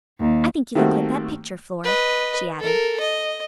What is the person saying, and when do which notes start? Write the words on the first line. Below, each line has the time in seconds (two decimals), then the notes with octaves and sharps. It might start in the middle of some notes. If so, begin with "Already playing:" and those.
"I think you look like that picture, Flora," she added.
0.19 D#2
0.75 D#3 G3 A3 A#3 C4 F#4
1.84 B4 D#5
2.60 A4 A#4
3.00 D#5